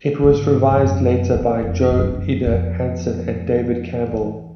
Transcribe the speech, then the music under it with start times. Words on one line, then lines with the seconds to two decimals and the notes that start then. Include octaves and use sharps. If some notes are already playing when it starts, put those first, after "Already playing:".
It was revised later by Jo-Ida Hansen and David Campbell.
0.23 G#2
0.72 F2
0.79 F#2
1.35 E2
1.62 F2
1.91 F#2
2.02 G2
2.14 F#2
2.46 F2
4.13 E2